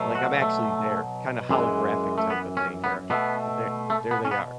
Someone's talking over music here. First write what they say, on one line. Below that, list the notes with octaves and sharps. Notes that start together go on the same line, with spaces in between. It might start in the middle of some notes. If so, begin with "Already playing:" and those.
like, I'm actually there, kinda holographic type of thing where there there they are.
Already playing: B2 F#3 A3
F#4
A3
F#2 E3 G#3
A3
B3
C#4
B3
B2 A3 B3
A3
B3
C#4
B3